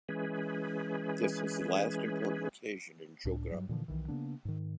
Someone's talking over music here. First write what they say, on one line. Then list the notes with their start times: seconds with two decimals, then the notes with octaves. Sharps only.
This was the last important occasion in Jugra.
0.09 E3 G#3 C#4 G#4 B4
3.25 C#2 A2 D4
3.51 G2 F#3
3.69 A#2 D3 E3 F3
3.88 B1 D#3 E3
4.08 C#3 A#3 B3 D4
4.45 G#2 D#3